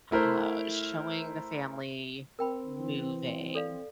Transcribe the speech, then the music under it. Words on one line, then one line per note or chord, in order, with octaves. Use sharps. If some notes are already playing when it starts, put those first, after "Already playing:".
uh, showing the family moving,
A3 E4 A#4 C5
C4 A#4 G5 B5
E3
A4 D5 F5